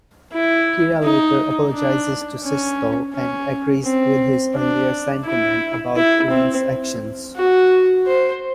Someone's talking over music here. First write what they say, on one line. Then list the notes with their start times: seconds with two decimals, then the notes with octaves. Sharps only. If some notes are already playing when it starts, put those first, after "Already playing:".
Kira later apologises to Sisko, and agrees with his earlier sentiment about Winn's actions.
0.33 E4
1.03 D#4
1.73 D4
2.44 C#4
3.14 C#4
3.84 C4
4.55 D4
5.25 E4
5.96 E4
6.30 C4
7.36 F#4
8.06 C5